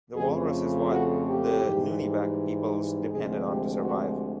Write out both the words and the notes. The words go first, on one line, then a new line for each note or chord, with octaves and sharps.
The walrus is what the Nunivak peoples depended on to survive.
F2 C#3 F3 A3 G#4
F#4
G4
G#2 E3 G3
D2 C3 F3 G#3 G#4
G4
F#4